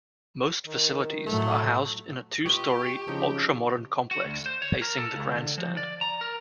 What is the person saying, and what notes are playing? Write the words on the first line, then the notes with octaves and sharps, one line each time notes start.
Most facilities are housed in a two-storey ultra modern complex facing the grandstand.
D#3
A2 F#3 A3
F4 G4 B4 D#5 C#6
C#3 F3 C4 D#4
F#4
D2
C5
C#5
A#4
A4
C#2
D3
F3
D5
A#5
A#4